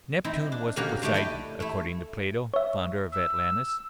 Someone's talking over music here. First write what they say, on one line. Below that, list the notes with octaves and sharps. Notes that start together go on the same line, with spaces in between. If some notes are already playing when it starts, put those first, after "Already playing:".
Neptune was Poseidon, according to Plato, founder of Atlantis.
C4 D#4 E4
D4
B2 D3 A#3 C#4 F#4 G4
D3 A3 D#4 G4
E4 D5 D#5
A3 E4
C#5 E5
E6